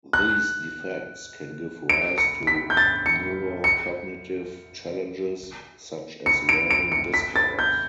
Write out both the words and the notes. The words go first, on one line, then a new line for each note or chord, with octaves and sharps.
These defects can give rise to neurocognitive challenges such as learning disorders.
F#6
D7
C#7
B6
G6
A6
C#7
C#7
C#7
D7
D7
C#7
B6
A6
G6